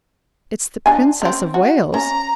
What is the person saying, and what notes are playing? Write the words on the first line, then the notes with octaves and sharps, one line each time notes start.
"It's the Princess of Wales."
D4 G#5
C4 C#4
F#4
C#4 A#5